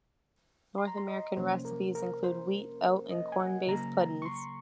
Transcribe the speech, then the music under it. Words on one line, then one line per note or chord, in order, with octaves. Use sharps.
North American recipes include wheat, oat, and corn-based puddings.
C6
A#5
C6
D#5
C3 F3 A#3 C#4 C5
A#4
A#4
C5
D#5
G#5
F#5
C#3 F#3 A#3 A#5
A#5
C#6
C6